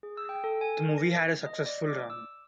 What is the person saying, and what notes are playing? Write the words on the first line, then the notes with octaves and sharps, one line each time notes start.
The movie had a successful run.
G#4
E6
G5
A4
G#5
A#4
A#6
D#5
D5
D6
E6